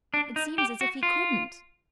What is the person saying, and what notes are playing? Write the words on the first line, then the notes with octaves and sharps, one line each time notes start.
"It seems as if he couldn't."
D4
D#4
G4
F#4
F4